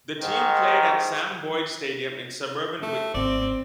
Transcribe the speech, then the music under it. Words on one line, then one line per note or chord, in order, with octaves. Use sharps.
The team played at Sam Boyd Stadium in suburban Whitney.
G#2 D#3
A3
G#1 C4 D5